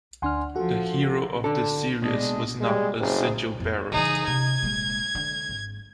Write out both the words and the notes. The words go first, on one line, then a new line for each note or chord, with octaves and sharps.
The hero of this series was not a Sigil-Bearer.
D2 D4 F#5 G#5 C6 F6
F3 F#4 A4 F#5
D3 D4 A4
B2 G#3 D4 D#5
G3 G#3
F#1 C4 G#4
F2 B3
C#3 E3 D#4 G#4
C3 C#4 G#6
D#1 G#3
D3
G#1